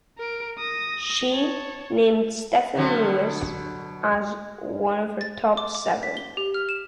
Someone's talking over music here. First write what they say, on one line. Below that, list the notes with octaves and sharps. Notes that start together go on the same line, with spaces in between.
She named Stephen Lewis as one of her top seven.
A#4 D7
D#6 A#6
C#5 A5
B2 D3 F#3
A6
D6
D6
B6
G7
G4
F6
E7